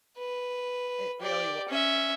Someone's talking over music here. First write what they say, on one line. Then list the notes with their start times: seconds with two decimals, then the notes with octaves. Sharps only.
It really was.
0.17 B4
1.22 G4 D5
1.69 C#4 E5